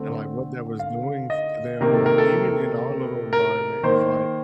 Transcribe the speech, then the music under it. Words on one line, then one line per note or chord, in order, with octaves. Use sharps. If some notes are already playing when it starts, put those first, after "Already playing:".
and, like, what that was doing to them, like, even in our little environment, 'cause, like
Already playing: D3 A3 C4
F5
D#5
C3 D#3 A#3 A#4
A4
A#4
A4
A#4
D#3 A#3 C5